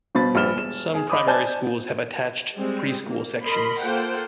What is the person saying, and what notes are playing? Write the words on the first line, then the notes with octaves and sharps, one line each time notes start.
Some primary schools have attached preschool sections.
G1 B2 C5 B5 A6
A#1 G3 B4 F6 E7 G7
E1 E7
G#4
D#5 B5 D6 D#6
C5 D5 G#5 A5 G6
G3 G#3 C4
A#3
A#4 D#5 B5 C6
A#3 F4 A4 C5 F#5 G5